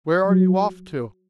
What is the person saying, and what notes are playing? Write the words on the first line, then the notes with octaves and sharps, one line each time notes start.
"Where are you off to?"
F#3